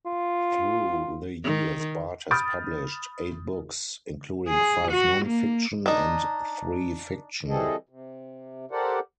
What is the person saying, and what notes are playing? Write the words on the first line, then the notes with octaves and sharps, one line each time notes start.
Through the years Bart has published eight books, including five non-fiction and three fiction.
F4
D#3
B5 D#6 F6 G6 A6 D7
G#4
F#4
A#3
D4 D#4
E3 G3 C4 G#4 A4 D#5
C3
G4 A4 A#4 C5 D5 F#5